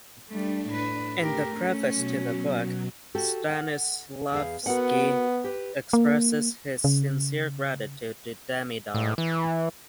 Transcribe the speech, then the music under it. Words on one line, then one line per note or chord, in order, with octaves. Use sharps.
In the preface to the book Stanislavsky expresses his sincere gratitude to Demidov.
G3 A3 D4
A2 B4
A3 G4 A#4
C#4
B2 F#3
F#4 G4 A4
F#5
E2 G#4 F5
B3 F#4 A#4 F#5
G4 B4
A#3
C#3
A2
E3